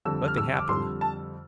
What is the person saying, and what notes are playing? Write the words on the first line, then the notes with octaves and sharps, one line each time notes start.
Nothing happened.
F2 D3 G3 E6
F6
E6
D6
F2 D3 G3 C6
A5